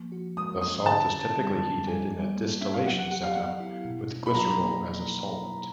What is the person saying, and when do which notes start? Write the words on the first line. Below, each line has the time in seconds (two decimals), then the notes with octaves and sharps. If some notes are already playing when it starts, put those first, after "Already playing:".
The salt is typically heated in a distillation setup with glycerol as a solvent.
Already playing: F3 A#3
0.12 F#4
0.37 G#3 D#6
0.61 C#4 D#6
0.86 D3 A5
1.12 D3
1.37 G3
1.62 B3
1.86 G3 G#5
2.12 G3
2.36 A#3
2.61 C#4 E5
2.74 F5
2.86 F#3 F#5
2.99 F#5
3.10 G4 F#5
3.23 F5
3.35 B3 F#5
3.60 E4
3.85 B2
4.10 D#4
4.26 B5
4.35 F#3 A#5
4.51 A#5
4.60 A#3